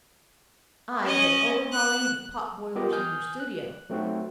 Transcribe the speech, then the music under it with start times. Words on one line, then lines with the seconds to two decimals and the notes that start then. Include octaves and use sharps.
I've been overhauling the pot-boilers in your studio.
1.05 C#4 D#5
1.72 F#6
2.75 B3 F4 G4 A#4 D#5
2.92 G#5 D#6 F6 G6
3.40 F#6
3.90 F#3 A3 C4 D#4 F#4